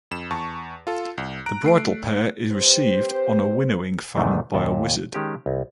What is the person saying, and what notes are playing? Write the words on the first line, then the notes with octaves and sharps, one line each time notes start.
The bridal pair is received on a winnowing fan by a wizard.
F2 E7
E2 A5 C#6
F4 A4
C2
A#5 F#6 D7
A3 C7 D7
C4 G4 B4 C5
E2 G#2 C3 D#3 E3 A3
D#2 A#2 A5
D#3 G#3 C#4 G4
C2